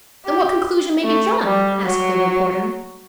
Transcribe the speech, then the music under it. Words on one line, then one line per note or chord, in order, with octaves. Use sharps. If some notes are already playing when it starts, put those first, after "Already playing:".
"Then what conclusion may be drawn?" asked the reporter.
G4
A3
G3
F#3